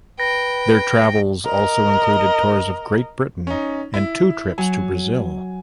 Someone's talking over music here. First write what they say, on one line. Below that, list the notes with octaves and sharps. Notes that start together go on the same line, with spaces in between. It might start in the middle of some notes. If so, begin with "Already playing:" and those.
Their travels also included tours of Great Britain and two trips to Brazil.
B4 G5 A#6
A#4 D#5
C#4 D#4
E4
F#3 G#5